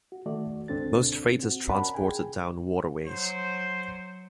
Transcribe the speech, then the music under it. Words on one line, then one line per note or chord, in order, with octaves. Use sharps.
Most freight is transported down waterways.
F#4
D#3 A3 F#4 D5
D2 G#2 C4 D4 A4 A6
C4 F#4
C#4 A#4 D5 F#5 A5 B5
G#4 G5 G#5
F#3 C5